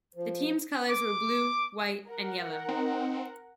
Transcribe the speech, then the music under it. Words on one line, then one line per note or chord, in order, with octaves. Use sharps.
The team's colors were blue, white and yellow.
F3
D6
A#4 F#5
C4 D#4